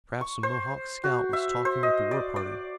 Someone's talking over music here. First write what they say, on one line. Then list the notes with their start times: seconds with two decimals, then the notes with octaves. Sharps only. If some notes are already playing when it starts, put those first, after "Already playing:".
"Perhaps a Mohawk scout was talking with the war-party."
0.21 C#6
0.43 C5
1.04 F#4
1.33 E5
1.65 C5
1.83 D#5
2.11 D5
2.36 D5